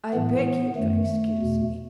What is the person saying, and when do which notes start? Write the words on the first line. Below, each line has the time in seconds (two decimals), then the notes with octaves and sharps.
I beg you to excuse me...
0.13 A2 E3 B3
0.76 F#2 D#3 A3
1.08 A3
1.39 E2 B2